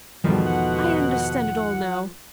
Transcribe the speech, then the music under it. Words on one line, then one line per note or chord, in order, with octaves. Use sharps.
I understand it all now.
E2 G#2 B2 D#3 F3 G3 A3
F#5